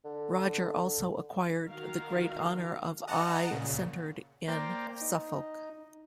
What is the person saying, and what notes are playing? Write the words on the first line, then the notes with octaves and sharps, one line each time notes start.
Roger also acquired the great honour of Eye centered in Suffolk.
D3
D#3 F#4 A#4 F5
D#5 F#5 A5 A#5
A#2 C#3
A#3 C5 D5 F5 G5 A#5
D#4